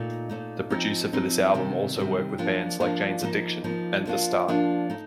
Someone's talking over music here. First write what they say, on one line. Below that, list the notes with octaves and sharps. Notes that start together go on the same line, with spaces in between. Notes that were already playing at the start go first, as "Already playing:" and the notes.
The producer for this album also worked with bands like Jane's Addiction, and TheStart.
Already playing: A#2 A3 D#4
A#2 A3 D#4
F3 C4 D#4
F3 C4 D#4
C3 D#3 G3
C3 D#3 G3
F3 A#3 D4 F4
F3 A#3 D4 F4
F3 A#3 D#4
F3 A#3 D#4
F3 A#3 D4 F4
F3 A#3 D4 F4
A3 D#4